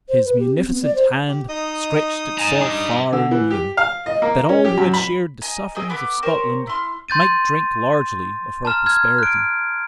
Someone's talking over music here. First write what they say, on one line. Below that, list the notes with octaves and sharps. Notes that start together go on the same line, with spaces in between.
His munificent hand stretched itself far and near, that all who had shared the sufferings of Scotland might drink largely of her prosperity.
C5
B4
G4
C4
B3
D5
C5
G4
D#4 D#5 D#6
G#5 A#5
D4 G4
D3
E3
G4
F5
D#5
A#3
C#4
G4
F#2
B5
D#5 G#5 A#5
G#4 D#5 E5 G5
B3 A4 B5 D6
G4 A#4 C5 C#5
E4 C6 F6
C6 G6 A6 D#7
A5 A#5 F6
F6 G#6
F#6 D7